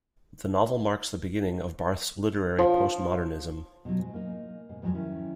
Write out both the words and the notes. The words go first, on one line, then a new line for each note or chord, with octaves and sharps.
The novel marks the beginning of Barth's literary postmodernism.
F3
B2 F#3
G#2
A#3 D#4
G#2 B2
F2 G#2 D#3 F#3
D#3 C#4 E4